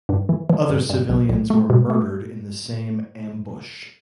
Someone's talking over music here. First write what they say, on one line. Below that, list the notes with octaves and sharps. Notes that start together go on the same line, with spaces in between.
Other civilians were murdered in the same ambush.
G2
E3
E3
G2
G2
B1
B1
A3
B2
A3